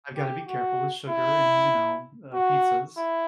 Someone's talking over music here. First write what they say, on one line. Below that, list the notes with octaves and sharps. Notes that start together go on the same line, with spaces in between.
I've gotta be careful with sugar and, you know, uh, pizzas.
G4
F#4
E4
F#4
E4